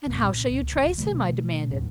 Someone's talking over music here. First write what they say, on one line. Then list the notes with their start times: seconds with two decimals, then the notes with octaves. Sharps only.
"And how shall you trace him?" I demanded.
0.06 D#1 C2 G2 C4
0.18 A#2
0.50 C#2
0.75 D#1 C2
0.98 B2 D3 F#3 A3
1.70 D#2 A2 F#3 D4